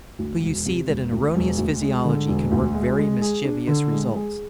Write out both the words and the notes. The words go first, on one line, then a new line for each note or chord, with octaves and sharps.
So you see that an erroneous physiology can work very mischievous results.
D2
E1
C3
E1
D2
E1
D2
G#3
D3
E1
D2
G#3
G#3
G#4
D4
D3
G#3
G#4